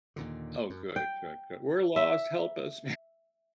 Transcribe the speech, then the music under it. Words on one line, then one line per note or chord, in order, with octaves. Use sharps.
Oh, good, good, good. "We're lost. Help us."
D#2 A#2 D3
F#2
G5
E5